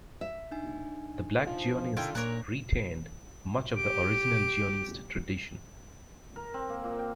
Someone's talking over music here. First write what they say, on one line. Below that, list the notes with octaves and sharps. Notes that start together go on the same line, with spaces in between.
The black Zionists retained much of the original Zionist tradition.
E5
D4 D#4 G#5
F3
D3 E4 F4 A#4 G5
A#2 A#3 A#4 C#5 F#6
G4 D7
A#4
C4
A#3
A#2
G5